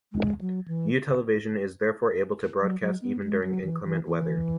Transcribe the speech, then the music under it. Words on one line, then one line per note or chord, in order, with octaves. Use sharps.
U television is therefore able to broadcast even during inclement weather.
G#3
F#3
E3
F#3
F#3
B3
G#3
F#3
E3
E3
E3